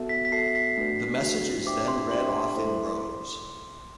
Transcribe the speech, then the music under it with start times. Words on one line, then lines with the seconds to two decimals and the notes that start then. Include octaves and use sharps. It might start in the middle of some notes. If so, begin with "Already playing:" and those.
The message is then read off in rows.
Already playing: B3 F#4 A4 E5 A5
0.09 B6
0.25 B6
0.32 B3 F#4 A4 E5 A5 C7
0.55 B6
0.77 A3 D4 F#4 B4
1.21 A3 D4 F#4 B4
1.66 D4 G4 C5 E5 G5 D6
1.88 C6
2.11 D4 G4 C5 E5 G5 C6
2.55 A3 E4 A4 C5 E5